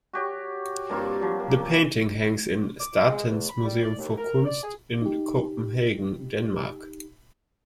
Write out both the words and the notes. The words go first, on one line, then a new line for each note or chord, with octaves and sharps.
The painting hangs in Statens Museum for Kunst in Copenhagen, Denmark.
F#4 G4 C#5
G2 A#3 C4 F4
F3 F#3
A#3
D6
G#3
E2
B5
G3
D5
D#2
A#4
D5
G#4
D#4 G4